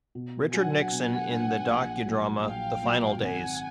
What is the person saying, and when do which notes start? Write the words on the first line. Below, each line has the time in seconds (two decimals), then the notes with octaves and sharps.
Richard Nixon in the docudrama "The Final Days".
0.15 B2
0.53 F#3 B3 D4 F#5 G#5
0.91 B2
1.30 F#3 B3 D4
1.68 A#1
2.06 A#2 F#3
2.44 A#1 F5 G5
2.83 A#2 F#3
3.20 G#1 F#5 G#5